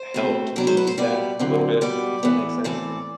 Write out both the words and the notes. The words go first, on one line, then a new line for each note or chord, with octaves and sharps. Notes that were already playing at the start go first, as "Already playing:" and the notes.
helped lose that a little bit, if that makes sense
Already playing: C5
B2 A3 C4
B2 F#3 B3 D5
C5
B4
C5
B2 G3 B3 D5
D3 F#3 C4
B2 G3 B3 D5
E3 B3
A2 E3 A3 C4 D5